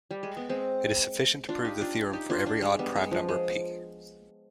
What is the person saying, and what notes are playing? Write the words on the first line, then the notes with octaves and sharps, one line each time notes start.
It is sufficient to prove the theorem for every odd prime number "p".
G3
G#3
B3
G#3 C4
D4 F4
D#4 G4
D4 F4
D#4 G4
D4 F4
D4 F4
G#3
G3 B3
G#3
F3
G#3